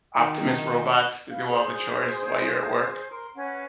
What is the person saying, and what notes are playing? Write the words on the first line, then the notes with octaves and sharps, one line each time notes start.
Optimus robots to do all the chores while you're at work?
D#3
B4 F5
G#4 C5
A#4 C6
C#4 B4 F#5 G#5